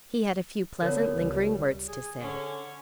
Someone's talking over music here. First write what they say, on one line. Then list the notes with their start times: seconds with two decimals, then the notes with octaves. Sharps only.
He had a few pleasant, lingering words to say.
0.82 D3 B3 A#4 C#5
1.14 C#2 G3
1.88 G#4
2.19 D3 C#4